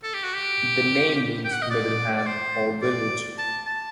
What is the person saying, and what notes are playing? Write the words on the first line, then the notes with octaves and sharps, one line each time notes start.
The name means "middle "ham" or village".
A4
G4
F#4
G4
G5
F#5
D#5
D5
D5
C5
D5
A5
A5